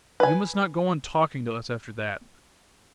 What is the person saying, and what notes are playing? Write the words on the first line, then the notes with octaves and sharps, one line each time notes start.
You must not go on talking to us after that.
B4 G#5